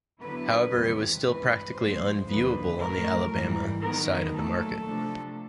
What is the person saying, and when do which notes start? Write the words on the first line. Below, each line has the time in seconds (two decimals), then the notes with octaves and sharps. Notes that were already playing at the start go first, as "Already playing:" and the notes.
However, it was still practically unviewable on the Alabama side of the market.
0.20 D3 F#3 B3 E4 B4
0.72 E2 C3 D#3 G3
1.23 G2 E3 G#3 B4
1.75 A2 F3 G#3 C5
2.27 D#2 D3 F3 A#3 B4
2.79 A2 F#3 A3 A#4
3.31 G#2 E3 G3
3.82 D#3 F#3 B3 D#4 A#4
4.33 A#2 F#3 A3 A4
4.85 C3 F3 A3 D4